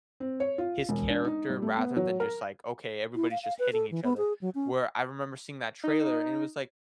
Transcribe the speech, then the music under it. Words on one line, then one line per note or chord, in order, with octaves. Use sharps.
his character rather than just, like, okay, everybody's just hitting each other. Where I remember seeing that trailer, and it was, like,
C4
C#5
F4
E1
D4
D#4
G3
A3
B3
F#3
A#4
E4
F5
F5
B4
A4
E3
B3
G#4
F#3
C#4
D#4